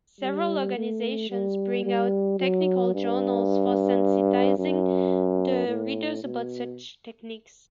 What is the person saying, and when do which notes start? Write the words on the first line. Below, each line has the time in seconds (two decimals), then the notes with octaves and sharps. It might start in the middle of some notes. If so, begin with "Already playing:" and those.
Several organizations bring out technical Journals for sensitizing the readers about such techniques.
0.21 G3
0.76 A3
1.31 G3
1.85 G3
2.39 F#3
2.94 G2
4.58 F#2
5.67 A2
6.23 B2